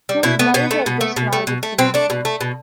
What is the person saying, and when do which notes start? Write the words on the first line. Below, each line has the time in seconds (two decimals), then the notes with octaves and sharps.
He was buried at West Norwood Cemetery.
0.09 G3
0.23 B2 E4
0.39 A3 B3
0.54 B2 B3
0.71 A3
0.86 B2
1.01 A3
1.16 B2
1.33 A3
1.47 B2
1.63 A3
1.78 B2 C4
1.94 A3 D4
2.10 B2
2.25 A3
2.41 B2